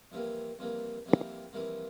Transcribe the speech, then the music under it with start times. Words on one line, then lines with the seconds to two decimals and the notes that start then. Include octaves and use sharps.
I have made my way through three years of posts.
0.12 F2 E3 G3 A#3
0.59 F2 E3 G3 A#3
1.06 F2 E3 G3 A#3
1.53 F2 E3 G3 A#3